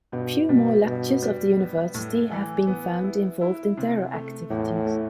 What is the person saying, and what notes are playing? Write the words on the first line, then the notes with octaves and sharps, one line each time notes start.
Few more lectures of the University have been found involved in terror activities.
G2 B2
B2 G3
G2 B2
G3
B3
A2
E3
B3
E4
E4
C3
A3
E2 A2
A3